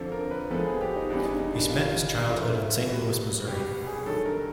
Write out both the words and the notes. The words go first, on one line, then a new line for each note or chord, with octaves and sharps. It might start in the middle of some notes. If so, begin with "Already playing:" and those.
He spent his childhood in Saint Louis, Missouri.
Already playing: F2 D3 F3 A4
A#4
B4
A2 F3 G#3 B3 A4
G#4
G4
D#4
E2 C#3 E3 G3 B3 D4
D#4
D#4
D4
G2 D#3 G3 B3 F4
D2 C#3 F3 A3 E4
F4
B2 G3 B3 F#4
C2 B2 G3 B3 G4
G#4
G2 D#3 F#3 A4
A#4